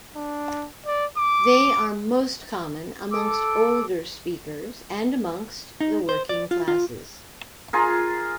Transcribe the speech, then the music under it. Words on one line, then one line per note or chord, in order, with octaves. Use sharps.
They are most common amongst older speakers and amongst the working classes.
D4
D5
D6
A4 D6 E6
D#4
C5
D5
F4
F4
F4 G#4 A#4